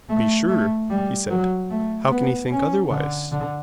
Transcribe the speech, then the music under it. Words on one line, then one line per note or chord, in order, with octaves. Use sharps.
To be sure, he said; how can he think otherwise?
A3
A3
G3
F#3
A3
B3
C#4
D3
D3